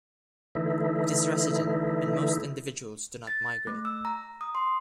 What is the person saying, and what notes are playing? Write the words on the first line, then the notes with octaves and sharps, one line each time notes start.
It is resident, and most individuals do not migrate.
D3 E3 A3 D#4 E4
A6
A3
E6
A#5
D#6
C6